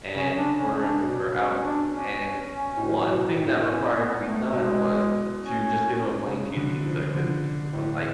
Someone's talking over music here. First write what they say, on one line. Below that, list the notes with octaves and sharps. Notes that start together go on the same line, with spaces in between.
and ordering it when we're out, and one thing that required to be done was to just get him a plain cheese pizza, 'cause he just doesn't like
C#3 C#4
D4
C#4
D4
B2
C#4
D4
C#4
A2
B2
A2
C#4
B3
A3
B2 G#3
C#4
C#3
D3
F3
D3
A2